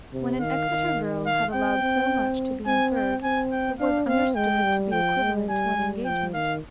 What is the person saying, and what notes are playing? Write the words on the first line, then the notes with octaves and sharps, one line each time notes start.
When an Exeter girl had allowed so much to be inferred, it was understood to be equivalent to an engagement.
C3
D#3 F5
D#3
F5
C4 G5
C4
C4 G#5
G5
C4 G#5
G5
D4 F5
C4 F5
G#3 G5
G3
F3 G5
G#3
G3 G#5
G3
F3 G5
D#3 F5